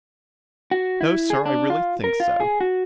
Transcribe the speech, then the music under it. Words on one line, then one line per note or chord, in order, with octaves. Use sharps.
'No, Sir, I really think so.
F#4
E4
G#4
D4
F4
A#4
F4
G#4
F#4